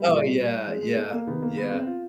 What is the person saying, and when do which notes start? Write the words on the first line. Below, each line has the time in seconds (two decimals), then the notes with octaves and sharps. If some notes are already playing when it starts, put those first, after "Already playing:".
Oh, yeah, yeah, yeah.
Already playing: G3
0.08 A#2
0.67 G#3
0.83 G#3
0.97 A3
1.13 A#3
1.27 C3 D#3 B3
1.42 A#3
1.57 B3
1.72 C4
1.87 F4